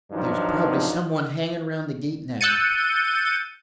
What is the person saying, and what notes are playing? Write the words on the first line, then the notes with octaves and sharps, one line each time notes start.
There's probably some one hanging around the gate now.
G2 D#3 F3 F#3 D4 D#4
E6 F#6 G6 A6 C#7 D#7